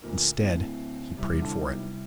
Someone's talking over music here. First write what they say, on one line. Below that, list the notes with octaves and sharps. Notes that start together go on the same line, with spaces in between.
Instead he prayed for it.
D2 A#2 A#4
D1 A2
C3 G3 E4
D3
B1